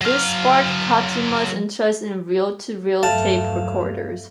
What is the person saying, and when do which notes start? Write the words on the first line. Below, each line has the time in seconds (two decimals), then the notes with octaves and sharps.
This sparked Katsuma's interest in reel-to-reel tape recorders.
0.01 F#3 F5
3.03 E2 G2 F#3 A3 F5 A5